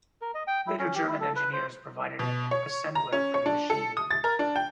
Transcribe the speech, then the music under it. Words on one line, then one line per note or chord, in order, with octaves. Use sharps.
Later German engineers provided an assembler for the machine.
A#4
D#5
G5
E4
C#4
G4
E4
A4
B4
C5
B2
C#5
A#5
C#4
C#5
D4
A4
D#6
A6
A#4
D4
G5